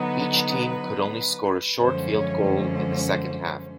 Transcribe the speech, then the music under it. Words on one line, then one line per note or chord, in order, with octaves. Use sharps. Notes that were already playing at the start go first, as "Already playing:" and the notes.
Each team could only score a short field goal in the second half.
Already playing: D3 F#3 B3 D#4 B4
F#2 D3 F3 G#3 C#4 C5
C#5
C5